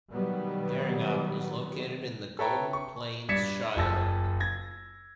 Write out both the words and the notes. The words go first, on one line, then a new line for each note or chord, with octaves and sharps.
Gheringhap is located in the Golden Plains Shire.
B2 D#3 F#3 G3 B3
A4 B4 C#5 E5 G5 A#5
C#6
G2 D5 G#6 B6 C#7 E7
F#1 F4 A5 E6 A#6
G#6 A#6